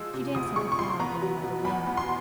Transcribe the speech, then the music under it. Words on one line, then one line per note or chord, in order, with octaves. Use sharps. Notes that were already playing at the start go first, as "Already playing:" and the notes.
She danced like a flower blown by the wind.
Already playing: F3 G#3 E6
C3
D2 D#6
G#3 C#6
C#6
F3 C6
B3 A#5
F#3
B2
E2 B5
B3
C6